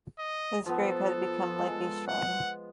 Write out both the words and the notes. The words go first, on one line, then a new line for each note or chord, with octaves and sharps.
His grave had become like a shrine.
D#5
F3 B3 A4
G#3
F#5